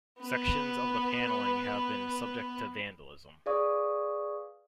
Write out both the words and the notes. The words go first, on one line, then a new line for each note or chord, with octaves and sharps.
Sections of the panelling have been subject to vandalism.
B3 B4
G#4 B4 D5 F5 C#6 D#6